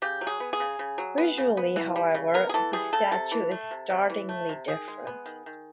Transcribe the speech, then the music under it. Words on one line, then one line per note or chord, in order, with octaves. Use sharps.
Visually, however, this statue is startlingly different.
C#3 G4
F#3
G#4
B3
G#4
C#3
C#3
F#3
B3
C#3
B3
E3
G3
C#3
B3 A#4
G#4
E3 A4
G3 G#4
C#3 A4
C3 A4
E3
A3
C3
C3
E3
A3
C3
D#3 G#4
G#3
B3
D#3
D#3